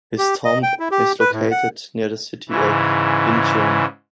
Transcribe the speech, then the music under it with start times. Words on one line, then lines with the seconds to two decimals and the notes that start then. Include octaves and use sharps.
His tomb is located near the city of Incheon.
0.18 G4
0.45 D#5
0.63 G5
0.80 E4
0.91 G4
1.20 B4
1.32 A2
1.51 F#5
2.49 G#2 C#3 E3